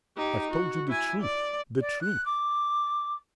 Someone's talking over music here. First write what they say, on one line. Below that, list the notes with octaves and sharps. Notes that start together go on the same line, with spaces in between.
I've told you the truth, the truth.
D#4 G4
F#4
E4 G#5
D5
D5
F#6
D6